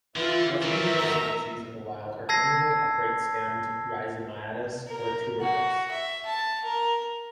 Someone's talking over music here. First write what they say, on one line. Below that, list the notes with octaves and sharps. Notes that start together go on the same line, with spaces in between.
Terrestrial species in the wild are commonly upright-stemmed, rhizomatous, or tuberous.
D3 E3 F4
D#3 G3 A#4 E5
B2 A#5
A5 E6 G#6 A#6 C7
A#4
F#4
E5
A5
A#4